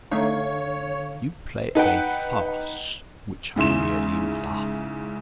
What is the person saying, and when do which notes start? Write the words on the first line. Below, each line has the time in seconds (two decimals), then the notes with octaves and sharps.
"You play a farce, which I merely laugh at."
0.11 D3 A3 D4 D#4 C#5 F5
1.75 D#4 B4 F#5 G5
3.56 G#2 C#3 E4 C6 E7